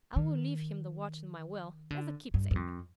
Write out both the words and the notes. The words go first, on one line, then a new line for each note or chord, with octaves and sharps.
"I will leave him the watch in my will, as a keepsake."
D#3
D3
G2
G2
F2